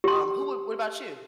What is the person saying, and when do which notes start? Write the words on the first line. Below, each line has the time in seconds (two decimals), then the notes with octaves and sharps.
Um, who would what about you?
0.04 G4 C6